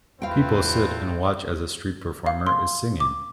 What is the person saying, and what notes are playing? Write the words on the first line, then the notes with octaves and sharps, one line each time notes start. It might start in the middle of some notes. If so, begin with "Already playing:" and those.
People sit and watch as a street performer is singing.
E2 A3 C4 F4 B4 F5 G5
F5
C6
D6